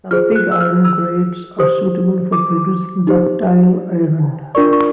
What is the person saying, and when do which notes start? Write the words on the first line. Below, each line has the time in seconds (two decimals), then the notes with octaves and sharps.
Some pig iron grades are suitable for producing ductile iron.
0.11 F4 G#4 C5 F6
0.36 F#6
0.52 E6
0.61 F6
0.85 E6
1.59 G4 C5 D#6
2.32 D6
3.07 D#4 G4 C5
4.55 D4 F4 A#4 D5 C#6
4.73 C#6